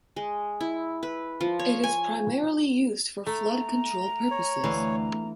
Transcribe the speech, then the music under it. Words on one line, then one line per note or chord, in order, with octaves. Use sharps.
It is primarily used for flood control purposes.
G#3
E4
B4
F3
C#5
G#5
A3 A#5
C#5
D2 E3 F5